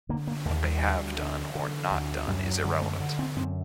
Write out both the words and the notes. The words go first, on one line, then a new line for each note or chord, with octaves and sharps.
What they have done or not done is irrelevant.
D3 A#3
A#3
D#2 A3
G3
D2
D3
D3
D2
F#2 G3
F#3
D3 G3
A3
D3
C4
F#2 C4